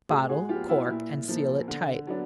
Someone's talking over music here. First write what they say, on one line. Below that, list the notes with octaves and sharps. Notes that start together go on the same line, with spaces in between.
Bottle, cork, and seal it tight.
A2 F#4 G#4
F#4 G#4
F#3 B3 F4 G4
E4 F#4
A#2 E4
F3 A#3
D3
F#3 B3 D4